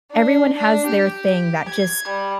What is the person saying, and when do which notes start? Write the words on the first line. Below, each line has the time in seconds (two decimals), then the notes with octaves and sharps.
everyone has their thing that just
0.12 D4
0.58 D4
0.87 G4
1.68 G#6
2.08 G3